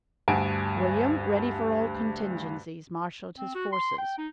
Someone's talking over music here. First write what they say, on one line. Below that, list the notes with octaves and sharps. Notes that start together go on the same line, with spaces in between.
William, ready for all contingencies, marshalled his forces.
D2 G2 F#5 G#5 A5 D7
C4
F#4
C6
G5
D#4